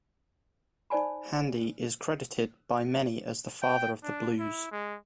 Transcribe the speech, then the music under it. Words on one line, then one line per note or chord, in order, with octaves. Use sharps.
Handy is credited by many as the father of the Blues.
D#4 C5 D5 G#5 B5
G5
D4
E4
G#3